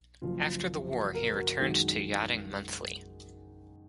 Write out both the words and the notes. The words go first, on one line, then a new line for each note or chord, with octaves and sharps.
After the war he returned to "Yachting Monthly".
F#1 F#2 F3 F4
F#4
A#4
F#4
F#2 D#3 G#3 F#4